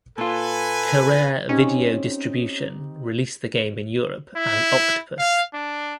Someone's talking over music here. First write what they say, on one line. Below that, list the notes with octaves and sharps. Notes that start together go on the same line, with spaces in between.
Carrere Video Distribution released the game in Europe as Octopus.
A#2 F4 A4 B4 G#5
C4 C#4 D#4 G4
E4
F5
D4